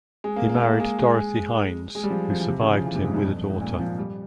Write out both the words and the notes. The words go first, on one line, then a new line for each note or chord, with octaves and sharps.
He married Dorothy Hines who survived him with a daughter.
G#3
A#3
A#3
A#3
G#3
G#3
G#3
G3
F3
F3
E3
C3
C#3
F3
E3
C3
G#2
G2
F2
G#2
A#2
F3
G3